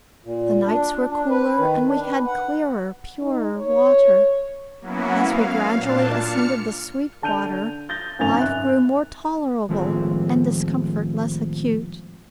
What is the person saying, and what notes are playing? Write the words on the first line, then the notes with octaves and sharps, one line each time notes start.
The nights were cooler, and we had clearer, purer water. As we gradually ascended the Sweetwater, life grew more tolerable and discomfort less acute.
A#2
D4
D4
B4
D#3
D4
B4
F#5
D#4
C#5
F#3 A#3 B3 C#4 E4 F#4
F5
A#2 D4 A5
F6 C#7
D3 A5 G6 D#7 F7
G6 A6 A#6 G7
G#1 C#2 F#2 G#5 A6 F7
E5 F#6
D#2 A2 F3 G#3 A3 C4